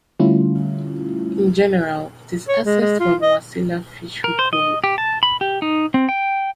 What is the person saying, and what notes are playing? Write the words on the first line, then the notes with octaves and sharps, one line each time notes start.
In general it is accessed from wasilla fishhook road.
D3 G3 A3 C#4 E4 F4
C#5
G#3
G#3
F4
D#5
A#4
C5
D#5
G4
A5
B5
G4
D#4
C4
G5